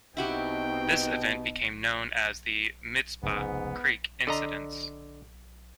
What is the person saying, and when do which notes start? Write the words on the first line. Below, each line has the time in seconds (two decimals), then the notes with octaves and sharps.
This event became known as the Mizpah Creek incidents.
0.17 B2 C4 D#4 E4 F#4 G4 D#5 G5
3.23 F1 C#2 G#2 B3
4.27 D3 D#5 A#5